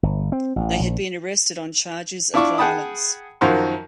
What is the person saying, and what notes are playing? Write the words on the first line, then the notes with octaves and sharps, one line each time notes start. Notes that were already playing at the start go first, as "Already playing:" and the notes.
They had been arrested on charges of violence.
G1
C4
A1
A#1
D4 E4 F4 D5 C#6 D6
G#4 F#5 G5 A5 B5 D#6
F#2 D#3 F3 F#4 F5 C6